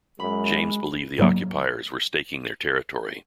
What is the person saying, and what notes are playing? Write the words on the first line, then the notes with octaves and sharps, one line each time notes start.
James believed the occupiers were staking their territory.
F#2 G#3 B5
G#2 C#3 F#3 A#3